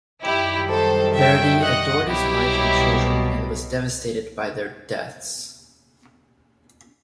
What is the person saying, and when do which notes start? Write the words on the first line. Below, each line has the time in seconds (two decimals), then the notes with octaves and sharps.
Verdi adored his wife and children and was devastated by their deaths.
0.23 F#2 D#3 G3 E4 G4
0.69 A4 C5
1.16 E5 G5
1.61 D#5 F#5
2.07 C2 B2 F#3 E4 G4